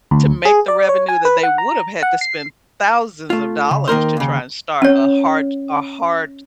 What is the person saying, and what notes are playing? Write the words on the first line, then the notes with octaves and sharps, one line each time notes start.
to make the revenue that they would've had to spend thousands of dollars to try and start a hard a hard
D2
G#4
D5
C#5
G#5
B4
F#5
A#5
F#5
C7
A3 F4
C#3
D#3 A#3 A#4 C5
D#2 C#3
C#4 C#5